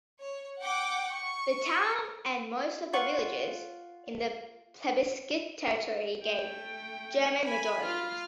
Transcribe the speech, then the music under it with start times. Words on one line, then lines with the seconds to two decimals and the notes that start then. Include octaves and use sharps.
The towns and most of the villages in the plebiscite territory gave German majorities.
0.20 C#5
0.60 F#5 G5 D6
1.14 C#6
2.93 F4 F#5 C#6
6.24 A3 G5
7.43 G#5 B5
7.84 F4 F6